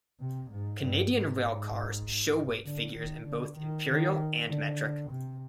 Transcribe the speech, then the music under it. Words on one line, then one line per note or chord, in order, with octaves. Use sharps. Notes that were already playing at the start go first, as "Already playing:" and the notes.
Canadian railcars show weight figures in both imperial and metric.
C3
G#2
G2
G#2
D3
D#3
D3
D#3
D#3
D3
C3